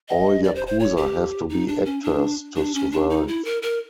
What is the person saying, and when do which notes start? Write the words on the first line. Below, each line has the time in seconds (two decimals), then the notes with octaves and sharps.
All yakuza have to be actors to survive.
0.09 D#5
0.44 D5
0.55 C5
0.67 C5
0.80 C#5
0.97 G4
1.49 D#4
1.68 D4
1.86 C#4
2.03 D4
2.56 D4
2.75 C#4
2.92 D4
3.10 D#4
3.28 E4
3.45 A#4
3.62 A#4